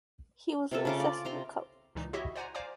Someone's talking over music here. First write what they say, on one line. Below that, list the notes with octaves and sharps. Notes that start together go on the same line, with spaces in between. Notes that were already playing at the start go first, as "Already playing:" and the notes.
He was an assistant coach.
C3 F4 A4
C#3 F4 D6
D5
C3 A#5 C6
C#2 A#2 E3 D#4
E4 F#4 G4 C#5 D#5 E5
C5 D5 F#5 G#5 A#5
C5 D5 F5 G#5 A#5 D6